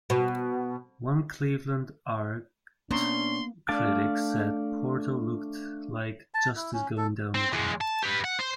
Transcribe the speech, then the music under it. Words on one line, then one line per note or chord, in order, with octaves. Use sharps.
One Cleveland art critic said "Portal" looked like "justice going down the drain".
B2
B2 A#3 B3 C#4 D4 A#5 C6
A3 D4 D5 F5 A5
A5
E4
C#4
A4
C4
E2 G#3
A5
G4 B4
F#5
C5